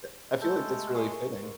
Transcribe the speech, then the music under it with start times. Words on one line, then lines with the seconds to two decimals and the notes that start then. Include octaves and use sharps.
E I feel like that's really fitting.
0.42 G#3 A3 A4 G6
0.95 G#4 A#4 C#6
1.42 G#2